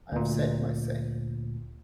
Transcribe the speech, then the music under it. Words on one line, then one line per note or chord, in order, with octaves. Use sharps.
I have said my say.
D2 A#2